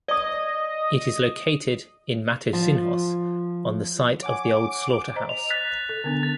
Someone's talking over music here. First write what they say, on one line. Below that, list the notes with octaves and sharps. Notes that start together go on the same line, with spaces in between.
It is located in Matosinhos on the site of the old slaughterhouse.
D5 D#5 D#6
F3
C#5 F#5 G#5 D6
C5 D#5 A#5
F7
F#6 A6 B6
A4
D3 B3 D4
A6